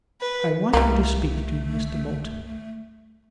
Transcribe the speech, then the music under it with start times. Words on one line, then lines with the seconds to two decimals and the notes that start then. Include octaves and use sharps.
'I want you to speak to Mr. Moulton....
0.21 B4
0.73 C2 G3 A3 A#3